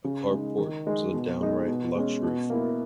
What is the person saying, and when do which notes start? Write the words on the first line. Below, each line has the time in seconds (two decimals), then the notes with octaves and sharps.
A carport was a downright luxury for it.
0.04 C#3
0.31 G#3 D#4
0.58 D#3
0.87 G#3 D#4
1.14 B2
1.41 G#3 D#4
1.68 B2
1.96 G#3 C#4
2.24 B2
2.50 A#3 E4